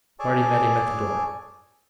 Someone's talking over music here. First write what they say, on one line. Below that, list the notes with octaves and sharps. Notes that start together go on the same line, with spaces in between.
Marty met him at the door.
G#4 A4 C#5 D5 G#5 A5